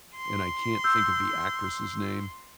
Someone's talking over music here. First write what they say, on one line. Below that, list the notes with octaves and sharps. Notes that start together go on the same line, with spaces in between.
and I can't think of the actress' name
C6
E6 G6